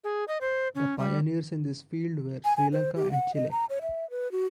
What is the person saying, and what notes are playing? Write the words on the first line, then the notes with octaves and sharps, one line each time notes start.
The pioneers in this field were Sri Lanka and Chile.
G#4
D#5
C5
C#4
G3
G#5
G#5
C5
G4
F#5
D#5
A#5
C#5
E5
B4
F#4